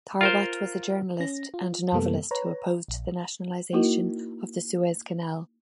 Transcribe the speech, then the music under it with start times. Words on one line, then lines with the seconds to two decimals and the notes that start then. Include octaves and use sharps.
Tharwat was a journalist and novelist who opposed the nationalization of the Suez Canal.
0.21 F4 A#4 C5
1.20 C#4 A#6
1.54 F4
1.92 F#2 C3 G3 A#3 B3 A4
2.31 B4 C#5 A#5
2.88 A#1
3.73 A#3 D#4 E4 F#4 A#4 D#5